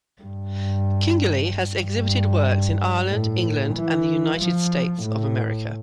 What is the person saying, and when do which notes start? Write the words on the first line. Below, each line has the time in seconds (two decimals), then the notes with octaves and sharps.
Kingerlee has exhibited works in Ireland, England and The United States of America.
0.23 G2
1.83 G2
3.10 A2
3.75 E3
4.39 F3
5.02 A2